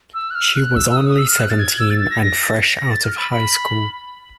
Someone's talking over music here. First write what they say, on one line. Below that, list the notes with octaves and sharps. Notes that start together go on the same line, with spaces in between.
She was only seventeen and fresh out of high school.
E6
F#6
F6
F#6
E6
E6
D#6
D#6
E6
F6
F#6
A6
G#6
E6
A6
A6
A#6
A#6
A6
A#6
A#6
A6
F6
B5
B5